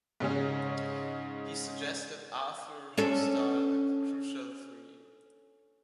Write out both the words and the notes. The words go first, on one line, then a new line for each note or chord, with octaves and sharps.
He suggested Arthur Hostile and The Crucial Three.
G#2 C#3 G#3 C#4
C#4 D4 A4